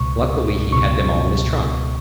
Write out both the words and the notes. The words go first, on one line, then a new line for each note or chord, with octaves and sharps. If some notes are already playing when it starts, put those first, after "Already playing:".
Luckily he had them all in his trunk.
Already playing: C#2 B2 C#6
C#2 B2 C#6